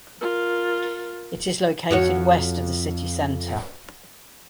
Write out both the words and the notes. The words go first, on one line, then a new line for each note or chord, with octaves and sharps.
It is located west of the city center.
F4 A#4
F2 F#4 C#5